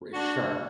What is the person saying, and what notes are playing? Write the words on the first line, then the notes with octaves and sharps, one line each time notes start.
very sharp.
D4 F#4